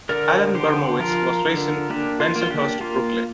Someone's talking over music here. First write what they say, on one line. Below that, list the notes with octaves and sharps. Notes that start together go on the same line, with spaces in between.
Alan Bermowitz was raised in Bensonhurst, Brooklyn.
D3 A#4 D5
D3 G4 C5
F3 F4 A#4
D3
A#3 D4 G4
F4
A#3
F4
D4 G4
A#3 F4